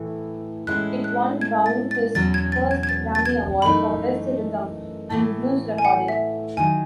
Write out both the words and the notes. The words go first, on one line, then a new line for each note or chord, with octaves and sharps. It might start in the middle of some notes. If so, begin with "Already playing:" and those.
It won Brown his first Grammy Award, for Best Rhythm and Blues Recording.
Already playing: A2 E3 A3
A2 G#3 C#4 E4 F#6
F#6
G#6
A6
A6
E2 B2 F#3 C#4 A6
G#6
A6
G#6
G#6
A6
A6
G#6
F#2 E3 A3 D#4 B5
A2 E3 A3
G#5
F#5
E5
D#3 F#3 G#5